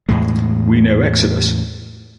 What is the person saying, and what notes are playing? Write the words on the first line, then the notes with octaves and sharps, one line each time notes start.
We know Exodus.
E2 A2 G#3